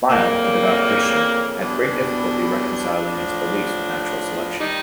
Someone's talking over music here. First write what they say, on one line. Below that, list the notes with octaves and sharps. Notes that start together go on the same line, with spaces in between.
Lyell, a devout Christian, had great difficulty reconciling his beliefs with natural selection.
F2 C#3 E3 G3 A#3
E2 B2 G3 D4
A2 F3
D#3 G3 D#4